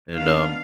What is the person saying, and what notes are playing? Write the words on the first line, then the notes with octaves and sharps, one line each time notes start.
And um
D#3 B3 D4 F5